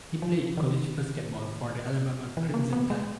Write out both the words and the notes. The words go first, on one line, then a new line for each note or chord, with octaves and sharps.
He played college basketball for the Alabama Crimson Tide.
F3
D#3
E3
A#3
B3
G#3